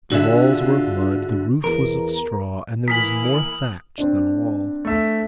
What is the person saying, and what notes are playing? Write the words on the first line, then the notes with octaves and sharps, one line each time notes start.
The walls were of mud, the roof was of straw, and there was more thatch than wall.
D3 F4 F#4 G#4 E5
E2 A#4
E3 A#3 G#5 A#5 D#6 F6 B6 F#7
C4 D4
A3 E5